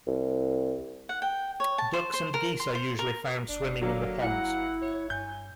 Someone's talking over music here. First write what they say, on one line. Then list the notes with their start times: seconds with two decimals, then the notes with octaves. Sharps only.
Ducks and geese are usually found swimming in the ponds.
0.07 C2
1.09 F#5
1.22 G5
1.60 C#5
1.78 A5
1.93 C5
2.13 C5
2.34 A#4
2.60 C6
2.75 C5
2.99 A#4
3.49 F#1 D4
3.81 D3 F#3 A#3
4.22 G1 E4 F#5
4.81 G1 C#5
5.10 G2 G#5 G6